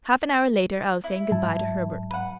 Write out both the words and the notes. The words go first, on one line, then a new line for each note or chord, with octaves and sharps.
Half an hour later I was saying good-bye to Herbert.
E4
G#2 F#3 A5
B4 F#5